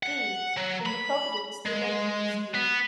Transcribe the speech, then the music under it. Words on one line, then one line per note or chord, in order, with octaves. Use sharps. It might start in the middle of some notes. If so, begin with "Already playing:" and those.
D. from The Providence Theological School.
F#5
F#3
B5
G#3
B3